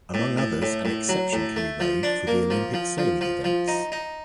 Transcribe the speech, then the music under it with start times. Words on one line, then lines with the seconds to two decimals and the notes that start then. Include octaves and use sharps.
Among others, an exception can be made for the Olympic sailing events.
0.14 A2
0.38 A2
0.62 A2
0.85 A2
1.09 F#3
1.33 A2
1.56 A3
1.80 F3
2.03 D4
2.27 A#3
2.50 F3
2.74 F3
2.98 F3
3.21 F3
3.44 F3
3.68 D#4
3.92 D#4